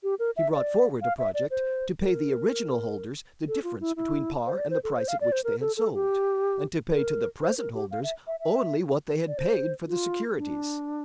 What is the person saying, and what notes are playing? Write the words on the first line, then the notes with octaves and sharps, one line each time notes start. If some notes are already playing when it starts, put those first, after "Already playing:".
He brought forward a project to pay the original holders the difference between par and the price at which they had sold, and to pay to the present holders only what they had paid for the securities.
G4
A#4
E5
D5
F5
E5
D5
C5
A#4
A4
F4
E4
E4
C5
D5
C5
A4
C5
F5
D5
C5
A#4
A4
A4
G4
A#4
C5
A#4
G4
F5
E5
E5
E5
D5
C5
F4
D4